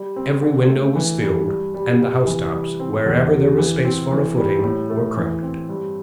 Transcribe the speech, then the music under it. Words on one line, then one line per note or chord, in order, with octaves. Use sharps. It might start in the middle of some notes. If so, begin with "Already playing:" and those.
Every window was filled, and the house-tops, wherever there was space for a footing, were crowded.
Already playing: G3
C4
D3
A3
E3
G3
G2
G3
C3
E3
G3
C4
E2
C3
E3
C4
E3
G3
A2
A3
E3
C4
G2